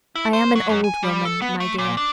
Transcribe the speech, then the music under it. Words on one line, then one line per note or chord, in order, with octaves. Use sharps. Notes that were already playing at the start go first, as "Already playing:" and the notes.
I am an old woman, my dear.
E4
C5
F#3
F#2
G#5
G3
A4
B3
A3
A#2
D4